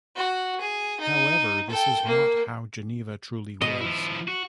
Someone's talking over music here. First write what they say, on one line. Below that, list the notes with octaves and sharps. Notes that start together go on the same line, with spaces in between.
However, this is not how Geneva truly was.
F#4
G#4
D#4
A4 G5
A#3
B2 D#5
F3 E4
F#4